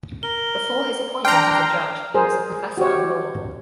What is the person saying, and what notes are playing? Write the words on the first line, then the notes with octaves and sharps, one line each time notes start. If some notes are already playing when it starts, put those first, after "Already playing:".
Before his appointment as a judge he was a professor of law.
A#4 G7
D4 G5 A#5 C6 F6
G#4 A#4 C5
F#4 G4 C5 C#5